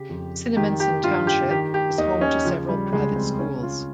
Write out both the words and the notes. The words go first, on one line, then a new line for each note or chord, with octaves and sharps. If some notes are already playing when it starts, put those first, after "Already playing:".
Cinnaminson Township is home to several private schools.
Already playing: C#3 G4
F2
D#3 G4
G4
G2 F4
G4
D#3 G4
G4
D#2 D#4
C#4
C#3 F3
G3
C#2 G#3
C4
C#3 C#4
F4